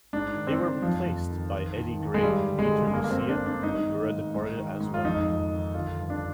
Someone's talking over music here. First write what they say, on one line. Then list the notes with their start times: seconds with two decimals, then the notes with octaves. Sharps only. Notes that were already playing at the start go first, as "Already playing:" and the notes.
They were replaced by Eddie Gray and Peter Lucia; Magura departed as well.
0.13 G#2 D4
0.36 D#3
0.47 C4
0.59 G#2
0.82 F2 F3
1.06 F2
1.30 D#3
1.53 D#3
1.76 D#3
1.99 D#3
2.14 G#3
2.23 G2 G3
2.47 D3
2.59 G#3
2.71 D3
2.88 G#3
2.93 G2 A#3
3.04 A#3
3.11 C4
3.17 G2
3.29 D4
3.40 G2
3.46 D4
3.63 G#2 D#4
3.87 D#3
4.10 G#2
4.34 G#2
4.57 D#3
4.80 G#2
4.94 F4
5.04 F2 D#4
5.28 F2
5.51 D#3
5.74 D3 F4
5.97 G2
6.10 D4